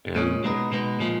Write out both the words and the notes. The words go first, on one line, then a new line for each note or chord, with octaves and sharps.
and, eh"
A#2 G#3 C#4
B2 G#3 B3 D#4
B2 G#3 B3 D#4
A#2 F3 G#3